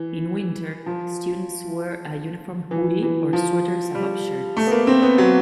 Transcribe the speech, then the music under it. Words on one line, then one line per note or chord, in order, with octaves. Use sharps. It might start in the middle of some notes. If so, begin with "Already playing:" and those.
In winter students wear a uniform hoodie or sweaters above shirts.
Already playing: E3
F3
E3
E3
F3
G3
A3
B3
A#3
C4
B3
F#3